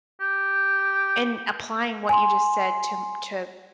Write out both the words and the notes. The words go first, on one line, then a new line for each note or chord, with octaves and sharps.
In applying what you just said to m to,
G4
G#5 C6